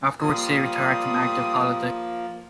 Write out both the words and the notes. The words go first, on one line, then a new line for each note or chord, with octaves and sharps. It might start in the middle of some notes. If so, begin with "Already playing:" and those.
Afterwards, he retired from active politics.
F3 G3 A#3 C6 D#6